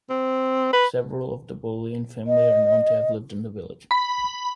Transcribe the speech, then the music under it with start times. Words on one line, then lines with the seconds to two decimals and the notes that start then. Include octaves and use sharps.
Several of the Boleyn family are known to have lived in the village.
0.10 C4
0.73 B4
2.27 D#5
3.91 B5